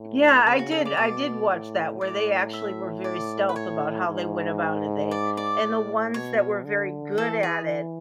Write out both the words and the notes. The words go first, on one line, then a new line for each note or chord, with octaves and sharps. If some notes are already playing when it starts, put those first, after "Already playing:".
Yeah, I did I did watch that, where they actually were very stealth about how they went about it, they and the ones that were very good at it
Already playing: A2
C#5
C#3 B4
F#4
A4
D5
B2 D5
A2
A2 D5
E5
D5
B4
C#5
G#2
D5
D5
A2
B2 C#5
D3
E3 A4
G#4